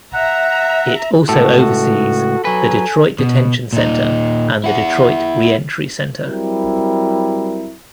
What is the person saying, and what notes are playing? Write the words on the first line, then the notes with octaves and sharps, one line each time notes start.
It also oversees the Detroit Detention Center and the Detroit Reentry Center.
E5 F#5 A#5
C#2 A2 F#4 A4
F#3 B4 G#5
B2
A#2 D#4
E4 F#5
F#3 G3 C4 E4 A#4